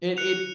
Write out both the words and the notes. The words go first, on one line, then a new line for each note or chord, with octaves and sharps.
It it,
F#6 C#7 F7